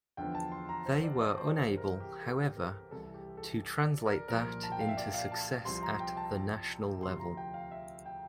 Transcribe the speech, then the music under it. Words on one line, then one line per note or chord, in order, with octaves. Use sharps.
They were unable, however, to translate that into success at the national level.
E2 D3 F3 G5
A5
C6
A#5
C5
D5
D5
C5
D5
C2 C3 E3 C5
A#4
G4
A4
A#4
C2 C3 E3 A4
G4
A4
D5
A#4
C2 A#2 F3 A#4
A5
G5
F5
E5
D5
F5
A5
C2 C3 F3 C6
A#5
G5
A5
D2 C3 F3 C6
C6
A#5
G5
F5
E5
G5